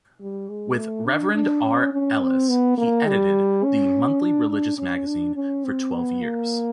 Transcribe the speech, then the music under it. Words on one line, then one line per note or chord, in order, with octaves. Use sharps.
With Reverend R Ellis he edited "The Monthly Religious Magazine" for twelve years.
G3
G#3
A3
D4
D4
C#4
C#4
C4
B3
A#3
G3
C#4
D4
D4
C#4
D4
C#4
C4
B3
A#3